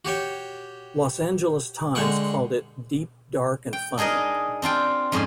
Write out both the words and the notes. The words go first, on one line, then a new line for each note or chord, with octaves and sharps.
"Los Angeles Times" called it "deep, dark and funny".
F#4 G4 C#5 G5
D3 G#3 F#5 G5 C#6
G5
D4 D#4 G#4 A#4 D#5
C4 D4 F4 G5
F2 G#2 F3 C#4 C5 G#5